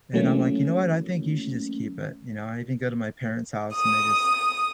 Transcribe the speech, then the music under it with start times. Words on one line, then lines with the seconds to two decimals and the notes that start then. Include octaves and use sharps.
And I'm, like, "You know what? I think you should just keep it." You know, I even go to my parents' house and they just
0.13 E3 F#3 A3 A#3 C#4
3.72 D#6